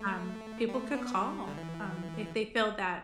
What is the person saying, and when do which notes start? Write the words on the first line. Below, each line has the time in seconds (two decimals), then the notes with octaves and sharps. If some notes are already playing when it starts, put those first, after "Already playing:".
um, people could call, um, if they feel that
Already playing: A3
0.68 G3
0.73 A3
0.95 B3
1.15 G3
1.47 D3
1.57 E3